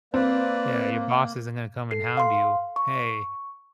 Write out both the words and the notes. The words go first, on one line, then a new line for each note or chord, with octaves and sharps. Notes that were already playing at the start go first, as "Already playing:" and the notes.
Yeah, your boss isn't gonna come and hound you, "Hey,
A#3 C4 B4 D5
A4 C7
F5 C6
C#6